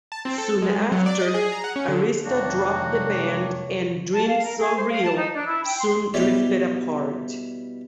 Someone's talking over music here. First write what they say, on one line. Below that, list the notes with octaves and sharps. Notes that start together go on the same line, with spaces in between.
Soon after, Arista dropped the band and Dreams So Real soon drifted apart.
A5
C4
A4
G#3
F#3
D5
D#5
G#4
A#5
F#5
C#4
D3
F2 C3 D#3 G#3 A#3 D4 F#4 C#5
A5
F5
A#4
G#4
C5
F5
A5
D#4
D4
E4
G5
C6
B2 E3 G3 C#5 D5